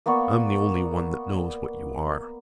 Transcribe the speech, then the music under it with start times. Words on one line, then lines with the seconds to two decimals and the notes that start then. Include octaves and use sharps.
I'm the only one that knows what you are.
0.06 A#3 B3 D5 C#6